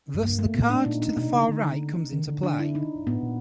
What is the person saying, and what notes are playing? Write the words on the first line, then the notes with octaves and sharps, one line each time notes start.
Thus the card to the far right comes into play.
F#2
G2 A#3
A3
A2 B3
D4
A#2 D#4
D#4
B2 D#4
C#3
D3
D#3
D3
D4
E4
D#4
A2 B3
A#2